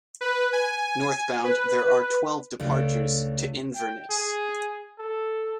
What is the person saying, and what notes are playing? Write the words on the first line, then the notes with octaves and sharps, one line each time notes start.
Northbound there are twelve departures to Inverness.
B4
G#5
B4
C#2 A3 D4 D7
G5
G#4
A4